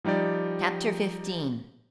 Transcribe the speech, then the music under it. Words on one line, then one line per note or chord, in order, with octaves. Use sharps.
Chapter XV.
F3 G3 D#4 G4 D5